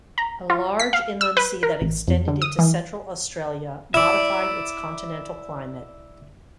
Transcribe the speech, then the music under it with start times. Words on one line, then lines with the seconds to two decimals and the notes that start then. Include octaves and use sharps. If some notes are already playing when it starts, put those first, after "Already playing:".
A large inland sea that extended into central Australia modified its continental climate.
0.18 A#5
0.50 F4
0.79 B6
0.93 F5
1.21 E6
1.37 B4
1.63 A#4
1.81 A1
2.08 F2
2.28 D3
2.42 D#6
2.59 E3
3.94 E4 D5 E5